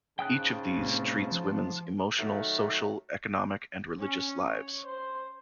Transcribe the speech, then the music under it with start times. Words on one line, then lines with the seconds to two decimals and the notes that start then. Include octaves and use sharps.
Each of these treats women's emotional, social, economic, and religious lives.
0.19 G#2 C#3 F4 G5 A5 D#6 F#6
0.78 A2 C3
1.31 F3
2.17 D#3 F#3 A3
4.00 C#4
4.47 C#5
4.86 C5